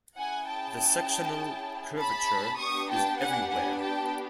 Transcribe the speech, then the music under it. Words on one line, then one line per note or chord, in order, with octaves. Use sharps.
The sectional curvature is everywhere.
C#4 E4 G#4 F#5 G#5
G5 A5
A5 B5
B3 D4 G4 C#6 D#6
G5 A5
F#5 G#5
F#5 G#5
G5 A5